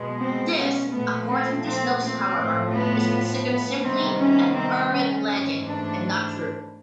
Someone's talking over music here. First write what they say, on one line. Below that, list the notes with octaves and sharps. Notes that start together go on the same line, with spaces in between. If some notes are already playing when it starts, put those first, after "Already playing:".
This, according to Snopes however, is considered simply an urban legend, and not true.
Already playing: B2 G#3 B3
C4
C#4
A#2 F3 A3 B3
C4
C4
C4
A2 F3 A3
B3
B3
C3 D#3 G3 B3 C4
C#4
C4
C#4
G#2 E3 A3
D4